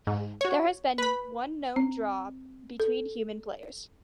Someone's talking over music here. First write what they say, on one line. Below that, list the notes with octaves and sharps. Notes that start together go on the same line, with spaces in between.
There has been one known draw between human players.
G#2
F#4 C#5
B4 B5
C4
A4